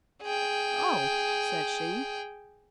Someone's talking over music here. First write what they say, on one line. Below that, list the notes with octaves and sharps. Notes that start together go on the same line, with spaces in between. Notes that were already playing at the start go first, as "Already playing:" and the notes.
"Oh!" said she.
G#4 G5